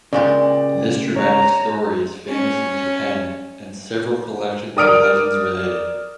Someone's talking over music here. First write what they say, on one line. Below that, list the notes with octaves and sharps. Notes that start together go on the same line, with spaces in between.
This dramatic story is famous in Japan and several collections of legends relate it.
A#2 C#3 G#3 G4 D5
C#5 A#5
C#4
A#4 D5 D#6 F6 D7